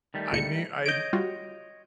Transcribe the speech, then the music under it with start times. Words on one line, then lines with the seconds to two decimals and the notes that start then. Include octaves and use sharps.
I knew, I kn
0.14 D#3 G3 A3
0.32 C#2 A#2 C#7
0.86 C#5 D#5 G6 D7
1.13 G3 F4 F#4